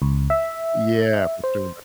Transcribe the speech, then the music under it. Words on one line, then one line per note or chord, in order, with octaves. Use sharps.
Yeah, for sure.
C#2
E5
C5